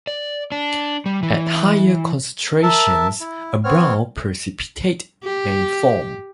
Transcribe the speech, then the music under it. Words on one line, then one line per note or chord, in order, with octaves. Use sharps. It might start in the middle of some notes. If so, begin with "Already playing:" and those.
At higher concentrations, a brown precipitate may form.
D5
D4
G3
E3
A#4 E5 A5
E4
B3 C4 C#5 F6
G4